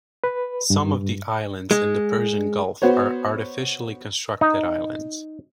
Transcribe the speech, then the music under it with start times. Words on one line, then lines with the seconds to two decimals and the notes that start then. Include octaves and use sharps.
Some of the islands in the Persian Gulf are artificially constructed islands.
0.24 B4
0.70 G2
1.71 G#3
2.82 B3 F#4 C5 C#5
4.41 D#4